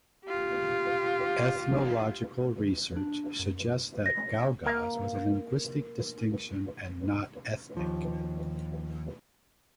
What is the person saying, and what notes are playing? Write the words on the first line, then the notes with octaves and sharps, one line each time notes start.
Ethnological research suggest that "Gagauz" was a linguistic distinction and not ethnic.
F4 G4
D4
F#2
A#6
A#3 F5
D#2 F3